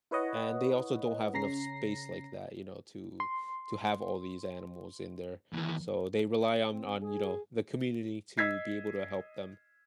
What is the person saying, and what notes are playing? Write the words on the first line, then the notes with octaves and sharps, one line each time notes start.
and they also don't have enough space like that, you know, to to have all these animals in there, so they rely on on, you know, the community to be able to help them,
E4 B4 C#5 D#5 F#5
C#3 C#4 A#5 A#6 C7
C6
D#2 E3
C4
G#4
D#5 E6 G#6 B6 C7